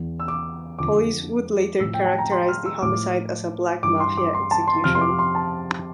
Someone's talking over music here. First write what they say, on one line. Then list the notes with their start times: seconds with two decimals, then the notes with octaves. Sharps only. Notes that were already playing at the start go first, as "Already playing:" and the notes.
Police would later characterize the homicide as a Black Mafia execution.
Already playing: E2 E3
0.20 E6
0.28 D6
0.79 F2 D3 F3 D6
1.80 A2 F3 E6
1.94 G5
2.05 A5
2.18 A#5
2.32 C6
2.49 F6
2.65 E6
2.82 A2 F3 D6
3.83 G2 E3 D6
4.00 C6
4.17 D6
4.34 C6
4.51 A5
4.68 C6
4.84 F2 C3 F3 F6
4.95 C6
5.01 D6
5.19 C6
5.35 A5